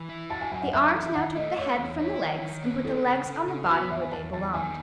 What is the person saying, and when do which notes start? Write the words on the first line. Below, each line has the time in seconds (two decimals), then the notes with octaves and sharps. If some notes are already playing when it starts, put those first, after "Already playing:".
The arms now took the head from the legs and put the legs on the body where they belonged.
Already playing: E3
0.09 E4
0.30 F#4 A5
0.41 G#5
0.52 F#2 G#5
0.62 F#5
0.73 F#2 E5
0.93 E3
1.15 D#3 F#5
1.36 A3 D#5
1.57 A3 C#5
1.79 E2
2.00 E4
2.21 D#3
2.42 D#3
2.64 B3
2.85 G#3 A4
3.06 C#3
3.26 C#3
3.48 C#3
3.69 B3 F#4
3.90 E2 E5
4.01 G#5
4.11 E2 A5
4.33 E2 A5
4.54 D#3 G#5